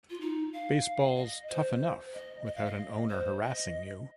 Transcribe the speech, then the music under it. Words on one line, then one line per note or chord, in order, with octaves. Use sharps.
Baseball's tough enough without an owner harassing you.
F4
D#4
F5
D#5
C5
D#5
D#5
F5
D#5
C5
D#5